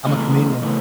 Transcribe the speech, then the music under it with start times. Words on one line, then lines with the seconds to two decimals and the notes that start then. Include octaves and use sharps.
I'm a comedian.
0.05 C#3 E3 A3 D#5
0.62 C#3 E3 A3